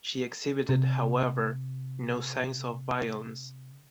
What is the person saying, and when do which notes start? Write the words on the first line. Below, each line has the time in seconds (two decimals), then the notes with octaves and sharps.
She exhibited, however, no signs of violence.
0.69 C3
2.41 A#2
2.45 C3
3.72 C#3